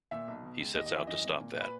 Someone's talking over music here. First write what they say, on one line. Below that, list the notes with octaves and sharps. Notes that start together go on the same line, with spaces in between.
He sets out to stop that.
A#2 E5
B1
B2
C#2
D#2 D#5
D#5
E3 E5
F#2 D#5
G#1
A#2
B4